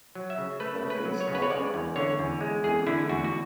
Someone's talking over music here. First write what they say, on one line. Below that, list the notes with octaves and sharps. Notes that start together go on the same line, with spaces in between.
That is, however, only the beginning.
F#3
E5
C#3
A3 B4
C#3
B4
F#3
C#5
C#3
B4
C#5
G#3 D5
E2
D3 C#5
E2
G#3
E2 G#4
D3 E4
E2 F#4
F#4